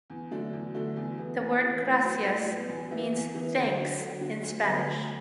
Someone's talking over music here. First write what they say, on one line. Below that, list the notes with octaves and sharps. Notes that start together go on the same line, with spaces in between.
The word "gracias" means "thanks" in Spanish.
E2
D3 F#3 A3 D4
E2
D3 F#3 A3 D4
E2
E3 B3
E2
E3 B3
A2
F#3 B3
A2
F#3 B3
E2
E3 B3 E4
E2
E3 B3 E4
D3
F#3 D4
D3
F#3 D4
D2
D3 B3
D2